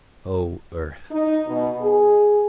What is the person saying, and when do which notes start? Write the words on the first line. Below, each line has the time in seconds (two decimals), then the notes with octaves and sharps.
Oh, earth!
1.11 D#4
1.48 B2
1.82 G#4